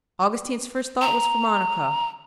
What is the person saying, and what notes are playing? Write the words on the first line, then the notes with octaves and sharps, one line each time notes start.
Augustine's first thought was for Monica.
A#5